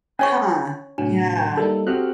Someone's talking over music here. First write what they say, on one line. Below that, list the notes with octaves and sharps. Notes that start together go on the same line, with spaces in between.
Huh. Yeah.
C#4 C#5 G#5 C#6
A2 C3 F#3 D4
G3 A#3 D#4 A4
C4 F#4 G4 D#6 F6 F#6